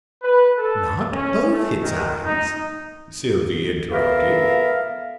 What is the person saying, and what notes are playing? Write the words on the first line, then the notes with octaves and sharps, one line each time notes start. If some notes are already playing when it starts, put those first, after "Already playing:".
"Not both its eyes," Sylvie interrupted.
B4
A4
C#4
A3
D#3
D#4
B3 A4 A#4 E5 F5